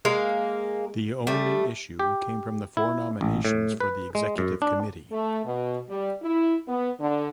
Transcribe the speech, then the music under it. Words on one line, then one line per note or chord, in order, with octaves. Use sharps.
The only issue came from the four nominations for the executive committee.
G#3 A#3 F5
G3 A3
G4
E4
A1
A2
B4
G#3
F#2
D4
A3
B2
G3
E4
B3
D3